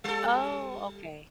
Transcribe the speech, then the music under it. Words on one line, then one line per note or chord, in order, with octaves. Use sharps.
Oh, okay.
G3 A4